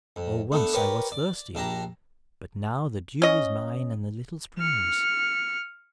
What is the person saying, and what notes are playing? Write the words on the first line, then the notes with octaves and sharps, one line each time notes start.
Oh, once I was thirsty; but now the dew is mine and the little springs.
F2
A3 B3 D4
G4 A#4 B4 C#5 D5
D5
A#1 D4 G4 A#5
C#4 D#5
F6 C#7